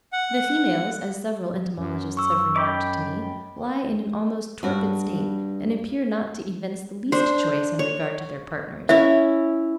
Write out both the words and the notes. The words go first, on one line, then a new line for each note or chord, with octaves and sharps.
The females, as several entomologists have remarked to me, lie in an almost torpid state, and appear not to evince the least choice in regard to their partners.
F#5
F#2
C#6 E6
D#5 G5 B5 D6
G2 F#4
D4 C5
C#5
C#4 E4 E5